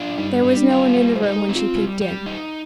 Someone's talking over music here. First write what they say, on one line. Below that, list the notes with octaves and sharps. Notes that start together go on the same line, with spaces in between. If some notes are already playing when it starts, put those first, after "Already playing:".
There was no one in the room when she peeped in.
Already playing: D4 F4
G3 D#4
G3
D4
F4
G3 B4
C5
D#4
G#4
C4
F4
G3
G3
D#4